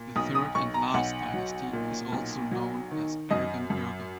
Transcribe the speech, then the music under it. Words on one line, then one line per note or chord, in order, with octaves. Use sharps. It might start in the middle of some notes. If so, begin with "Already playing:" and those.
The third and last dynasty is also known as Aragon-Urgell.
Already playing: A#2
B1 D#6
D#6
B1 C#6
A#5
B1 F#5
F#3
A#2
B1
F#3
D#3
F#2 D#5
F#2